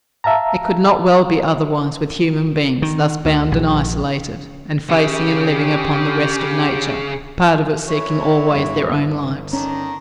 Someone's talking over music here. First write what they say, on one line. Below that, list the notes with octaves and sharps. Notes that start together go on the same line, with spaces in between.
It could not well be otherwise with human beings thus bound and isolated and facing and living upon the rest of nature, part of it seeking always their own lives.
E5 F5 A5 A#5
D#3
D2
A#1
C#3 G4
E3 E4 C#5
G1 G3
D#3 C#4 D4 A#5